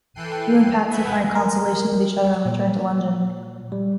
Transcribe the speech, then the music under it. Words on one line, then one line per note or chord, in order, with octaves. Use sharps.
Hugh and Patsy find consolation with each other and return to London.
E3 A4 G5 F#6 C7 D#7
B4 D#5 E5 F#5 G#5 G6
A#4
A#2
G3